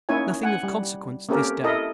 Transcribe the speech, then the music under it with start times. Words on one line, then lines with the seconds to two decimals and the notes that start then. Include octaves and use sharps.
Nothing of consiquence this day.
0.09 A#3 C#4 D#4 E4 C#5 G#5
0.43 F#5 G#5
0.63 G3
1.29 A#3 C4 C#4 G4 A4 A#4
1.64 E4 A4 A#4 D#5 E5